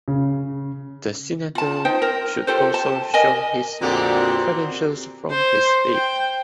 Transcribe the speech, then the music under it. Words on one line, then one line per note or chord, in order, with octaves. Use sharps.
The senator should also show his credentials from his state.
C#3
F4 A5
D#4 F4 C5 G5
A#4
F4 G4 A4 C5
A5
A#4 D5 D#5 G#5
F2 A#2 D3 B3 C4 F#4 G4
C5
G5